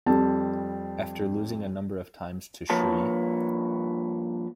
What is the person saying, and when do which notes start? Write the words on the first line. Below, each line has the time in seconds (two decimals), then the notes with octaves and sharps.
After losing a number of times to Shri.
0.06 F2 G3 C4 A5
2.70 G2 F3 A#3 B4 C#5 A5